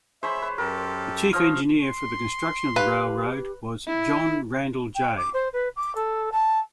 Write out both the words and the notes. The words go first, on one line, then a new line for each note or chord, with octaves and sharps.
The chief engineer for the construction of the railroad was John Randel J.
G#3 C5 C#5 E5 B5
B4
F#2 G4 A4 A#4
F3 F4 C5 D#5 F6
C6
G4 B4 F5
E4
G5
D6
C5
B4
D6
A4
A5